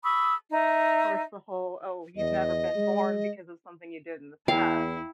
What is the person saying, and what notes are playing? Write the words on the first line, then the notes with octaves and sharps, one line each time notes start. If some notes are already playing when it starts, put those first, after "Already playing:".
course, the whole, "Oh, you've never been born because of something you did in the past,"
B5 C#6 D#6 E6
D#4 E5
E2 D#5
G#3
E2 E4 F5 G5